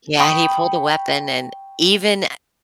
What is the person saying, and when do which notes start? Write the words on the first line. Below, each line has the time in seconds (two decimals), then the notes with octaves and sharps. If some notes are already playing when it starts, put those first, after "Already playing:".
Yeah, he pulled a weapon, and even a eh,
0.20 G5 B5 C#6 D#6